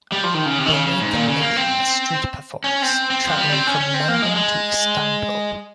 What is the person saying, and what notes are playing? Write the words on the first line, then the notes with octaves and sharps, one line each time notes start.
They made their living as street performers, traveling from London to Istanbul.
G3
F3
D#3
C#3
C3
D#3
C#3
C#3
G#2
A#2
C#3
A#3
C4
C#4
C4
C4
F3
G3
C4
C#4
C#4
C4
A#3
G#3
G#3